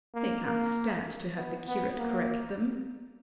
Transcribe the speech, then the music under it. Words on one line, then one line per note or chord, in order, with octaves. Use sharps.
They can't stand to have the curate correct them.
A#3
A#3
B3
B3
A#3